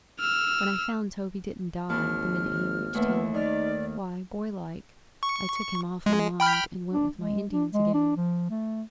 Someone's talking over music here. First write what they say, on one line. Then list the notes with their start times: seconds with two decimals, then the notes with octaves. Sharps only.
When I found Toby didn't die the minute he reached town, why, boylike, I took him off my mind and went with my Indians again.
0.20 E6 F6
1.90 G#1 D#2 A5 F6
2.95 D#2 A3 B3 E5
3.34 D#3 D#4 D5 F6
5.23 C#6
6.06 G#3
6.40 G5 B5 F6
6.93 D4
7.16 G#3
7.51 D4
7.74 G#3
7.93 D4
8.17 F3
8.50 A3